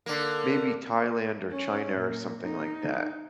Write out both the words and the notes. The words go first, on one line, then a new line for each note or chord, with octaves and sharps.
maybe Thailand or China or something like that.
D3 A#3
C#4
A#2
D#4